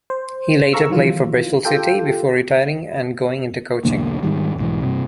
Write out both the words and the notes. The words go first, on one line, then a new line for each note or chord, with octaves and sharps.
He later played for Bristol City before retiring and going into coaching.
C5
G#4 A4 F5 A#5 C#6 E6
D#3 E3 F#3 F4
F4 G4 A4 G5
B1 E2 D3 A#3
G#2 D#3 G3
B1 G#2 E3
G2 C3